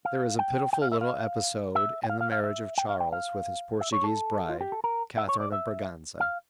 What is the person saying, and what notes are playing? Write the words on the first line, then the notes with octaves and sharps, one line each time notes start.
There is a pitiful little episode in the marriage of Charles with his Portuguese bride, Catharine of Braganza.
F5
G5
G5
F5
E5
F5
E5
G5
F5
F5
F5
E5
G5
F5
G5
F5
E5
C#5
A4
F4
G4
A4
A#4
E5
C#5
D5
E5
F5